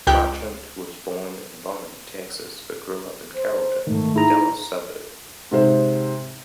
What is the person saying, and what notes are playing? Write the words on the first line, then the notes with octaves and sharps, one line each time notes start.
Marchant was born in Bonham, Texas, but grew up in Carrollton, a Dallas suburb.
C#2 G4 G5 F#6
C5
G#2 D#3 A3
D#4 E4 G#4 A#5
G#2 C3 C5